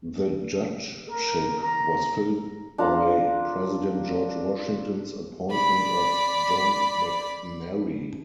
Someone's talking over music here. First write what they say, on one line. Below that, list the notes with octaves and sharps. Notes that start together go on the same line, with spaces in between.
The judgeship was filled by President George Washington's appointment of John McNairy.
A#4
A#5
D4 F4 A#5
D5 B5